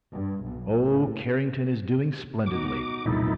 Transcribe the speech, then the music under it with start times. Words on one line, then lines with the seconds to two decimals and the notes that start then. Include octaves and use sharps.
Oh, Carrington is doing splendidly!
0.13 G2
0.43 B1
0.81 A2
2.46 B2 D#4 F#4 D6
3.06 E1 C2 A#2 F#3 B3 D#4 E4 A4